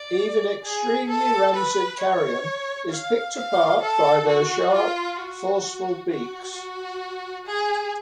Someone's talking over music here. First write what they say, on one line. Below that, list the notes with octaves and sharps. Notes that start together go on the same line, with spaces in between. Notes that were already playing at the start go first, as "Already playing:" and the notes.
Even extremely rancid carrion is picked apart by their sharp, forceful beaks.
Already playing: D5
G#4
A4
B4
C#5
F5
F5
A4
F#4
F4
F#4
F#4
F#4
G#4